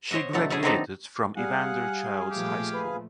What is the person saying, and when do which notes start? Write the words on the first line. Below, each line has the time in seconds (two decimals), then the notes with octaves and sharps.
She graduated from Evander Childs High School.
0.11 C5 C#5 D#5 E5 F#5
0.33 B2 D3 F#3 A3 F#5
0.50 A3 C#4 E4 G#4
0.63 D#3 F#3 B3 C4 D4 D#4
1.37 G3 G#4 F5 F#5 G#5
2.30 A#2 F3 A3 G4
2.73 B4